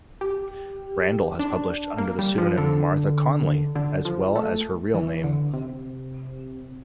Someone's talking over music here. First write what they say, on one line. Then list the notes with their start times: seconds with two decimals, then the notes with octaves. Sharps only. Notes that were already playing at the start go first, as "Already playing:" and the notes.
Randall has published under the pseudonym Martha Conley as well as her real name.
0.21 G4
1.39 D4
1.98 A#3
2.19 G3
2.38 F3
2.57 D3
3.75 D3
4.05 F3
4.36 A3
4.94 E3
5.24 D3
5.53 C3